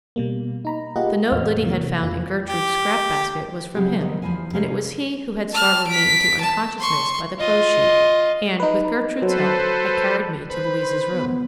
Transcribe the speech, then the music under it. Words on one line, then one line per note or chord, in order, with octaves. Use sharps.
The note Liddy had found in Gertrude's scrap-basket was from him, and it was he who had startled me into unconsciousness by the clothes chute, and, with Gertrude's help, had carried me to Louise's room.
B2 G3 A#3
D#4 A#5 B5
A#3 F4 G4 G#4 D#5 F#5
E2 A2 F5 F6
C3 E3 F3 A#3
F2 F4
G4
C#3 F#3 C4 E4 G4
D#3 F3 G3 A3 B3
E2 F3 G#3 E4 F5 G#5
C3 G3 C#4 G4 F5
A5 F6
B6 D7
A5
C6 C#6
F4 D#5
D#4 B4
F#3 A4 B4 C5
B4 C5
B3